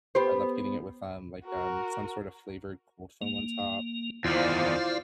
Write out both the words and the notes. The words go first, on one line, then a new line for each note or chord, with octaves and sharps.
I love getting it with, um, like, um, some sort of flavored cold foam on top,
B3 G4 C5
F#4 A#4
A#3
E2 D#3 E4 F4 C5 D5 F5